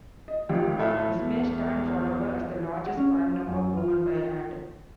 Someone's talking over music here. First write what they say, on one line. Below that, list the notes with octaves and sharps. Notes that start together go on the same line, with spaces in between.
This may stand forever as the largest prime number proven by hand.
D#5
G#1 F4 G4
A2 E4 A4
E2
F#5
C#4
F#2
F4